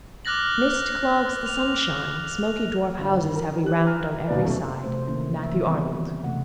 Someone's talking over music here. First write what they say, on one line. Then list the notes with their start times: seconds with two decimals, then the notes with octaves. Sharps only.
'Mist clogs the sunshine, Smoky dwarf houses Have we round on every side.' MATTHEW ARNOLD.
0.25 D6 F6 F#6 A6 A#6 F#7
1.46 F7
2.99 G1
3.35 A#4
3.63 G4 F#6
3.85 A#5 F6
4.28 D#1 D#2 B2 A#3 B4 D5
4.43 F#2 B2 A3
4.84 C3 F3 A3 C5
5.07 D#3 A#3 C#4 E4
5.42 E3 E5
5.64 E3 G3 B3 C4
6.04 C#3
6.24 C3 A3 F#5